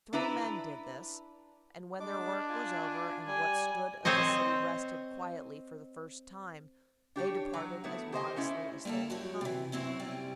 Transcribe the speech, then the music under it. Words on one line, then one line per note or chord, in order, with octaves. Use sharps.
Three men did this, and when their work was over and what stood of the city rested quietly for the first time, they departed as modestly as they had come.
D4 E4 B4 A#5
G#3 D4 D6
F4 G#5
G3 G#5
C4 C5 C#5 D#5
D4 G4 C#5
F#3
A3 B3 E4
G4 A4 C5 D5 D#5 G#5
A3 C#4 E4
G3 A#3 A4 A#4 A5
F#2 F#4 G4 C#5
C3 E3
F#2 C4 E4 C#5
C3 G3 C#4